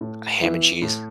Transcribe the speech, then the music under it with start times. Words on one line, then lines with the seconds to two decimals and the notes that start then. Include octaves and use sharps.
A ham and cheese
0.01 A2
0.41 E3 B3 E4
0.82 A2